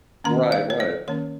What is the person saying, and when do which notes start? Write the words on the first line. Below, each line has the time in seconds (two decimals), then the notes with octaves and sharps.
Right, right.
0.24 D#3 A#3 C#4 A#5
0.52 F5
0.70 C#5
0.80 D#5
1.08 D#3 A#3 C#4 C#5